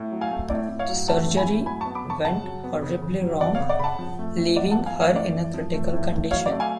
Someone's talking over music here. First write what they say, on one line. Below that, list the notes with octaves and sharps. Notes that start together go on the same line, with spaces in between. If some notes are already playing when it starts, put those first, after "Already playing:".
The surgery went horribly wrong, leaving her in a critical condition.
Already playing: A2
F#3
F5 G#5
A3
A2 D5
A2
C#5 F5
F#3
A3 F#5 A5
A2
G#5 B5
A2
F#3 G#5 B5
A5 C#6
B3
B5 D6
C#3
A5 C#6
C#3 F#5 A5
F#3
B3
C#3
C#3
F#3
B3 D5 F#5
C#5 F5
C#3
D5 F#5
C#3 F#5 A5 B5
F3
A3
A2
A2 D5 F#5
F#5 A5
F3
F5 G#5
A3 C#5 F5
A2 D5
A2
F3
A3
A2
A2
F#3 C#5 F5
D5
A3
F5 G#5